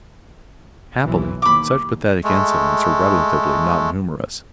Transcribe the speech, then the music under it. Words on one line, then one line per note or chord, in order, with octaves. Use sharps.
Happily such pathetic incidents are relatively not numerous.
B1 E3
D#2 B5 D6
G#3 A3